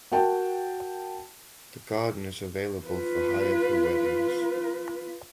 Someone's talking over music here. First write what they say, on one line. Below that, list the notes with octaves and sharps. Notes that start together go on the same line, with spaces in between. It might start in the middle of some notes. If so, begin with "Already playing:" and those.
The garden is available for hire for weddings.
F#4 A#4 G5 A5
F4 B4